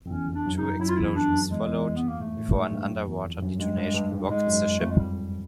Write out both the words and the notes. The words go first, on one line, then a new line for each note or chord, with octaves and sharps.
Two explosions followed, before an underwater detonation rocked the ship.
F2 C4
E2 C#4
F2
D4
F#2
D#4
G2
F#2 E4
F4
E2 E4
F2 D4
F#2
E2 G#3
E2
F2
B3
G2
A#3
G#2 A3
A2
G2
G#2
G2
G2
F#2
E2
F2
G2
F#2
G2 G#3
G2
G2
G#2
G#2 G#3
F#2
F2
F2 A3
G#3
G3